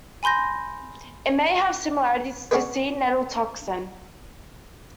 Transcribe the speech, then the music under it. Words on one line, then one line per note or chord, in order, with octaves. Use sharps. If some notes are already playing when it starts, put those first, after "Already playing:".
It may have similarities to sea nettle toxin.
G#5 B5 C6 G6 A#6
B3 C#4 D4 G#4 B4